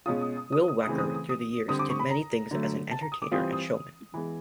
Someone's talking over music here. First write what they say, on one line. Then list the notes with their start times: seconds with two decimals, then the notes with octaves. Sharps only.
Will Wecker, through the years, did many things as an entertainer and showman.
0.06 B2 G#3 C#4 F4 D#6
0.21 D#6
0.37 D#6
0.52 D#6
0.68 D#6
0.83 D#6
0.87 C#3 E3 A3 C4
0.99 D#6
1.15 D#6
1.29 D#6
1.68 D3 G3 C4 D#6
1.79 D6
1.90 C#6
2.00 B5
2.10 A#5
2.51 D3 F#3 A3
2.91 A5
3.01 A#5
3.12 D#6
3.22 D6
3.32 E3 G3 C4 F4 D#6
3.53 D#6
4.14 E3 G#3 B3